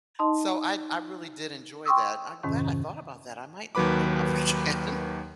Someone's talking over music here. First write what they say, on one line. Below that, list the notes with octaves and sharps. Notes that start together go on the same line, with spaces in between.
so I I really did enjoy that. I'm glad I thought about that. I might look them up again
D#4 D#5 A5 C6
G5 C6 C#6 D#6 E6
F2 G#2 C3 D#3 C#4
D#2 D#3 F#3 B4 B5 D6